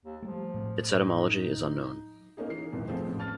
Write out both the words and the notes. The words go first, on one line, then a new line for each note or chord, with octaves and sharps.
Its etymology is unknown.
D#2
F3 G3 A3
A2 A3 C4
D#4
A#3 C#4 D#4 G#4
E3 C7
D#1 G#1 F2
F3 A3 C4 G#4 C5
A1 F2
A5 F6 A6